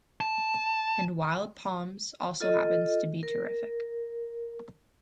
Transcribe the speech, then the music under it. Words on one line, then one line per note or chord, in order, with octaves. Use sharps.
And "Wild Palms" also happens to be terrific.
A5
F4 A4 D#5
A#4